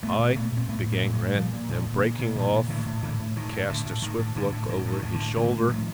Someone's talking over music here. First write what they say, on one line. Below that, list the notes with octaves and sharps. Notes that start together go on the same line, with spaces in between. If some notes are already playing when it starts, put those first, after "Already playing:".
"I----" began Grant, then breaking off cast a swift look over his shoulder.
A#2 A3 B3
A#2
A#3
A#2 A3 B3
A#2
C4
A2 A3 B3
A2
G#3 A#3
A2
F#3 G#3
A2
A#2 F3 G3
A#2
A#2 D#3 F3
A#2
A#2
A#2
A#2 D#3 F3
A#2
A2 D3 E3
A2
A2 D3 E3
A2
A2 D#3
A2
A2 D3
A2
A2 D#3
A2
A2 D3
A2
A2 D#3
A2
D#3
A2
D3
A2
A2 D3 E3
A2
A2 D#3 F3